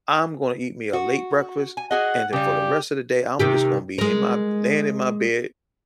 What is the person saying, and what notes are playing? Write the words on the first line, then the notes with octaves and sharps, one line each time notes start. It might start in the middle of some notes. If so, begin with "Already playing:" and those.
I'm gonna eat me a late breakfast, and then for the rest of the day, I'm just gonna be in my laying in my bed,
F#4
G#5
F#4 G#4 D#5 F#5
C#3 G3 G4
C3 D#3 G4
G#3 A#4